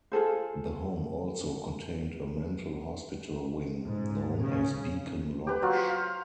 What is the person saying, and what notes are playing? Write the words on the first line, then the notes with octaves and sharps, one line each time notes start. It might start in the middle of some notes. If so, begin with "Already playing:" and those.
The home also contained a mental hospital wing known as Beacon Lodge.
F4 G#4 A4 C5
G#2
C#3
G4 B4
F#3 F4
C5
F5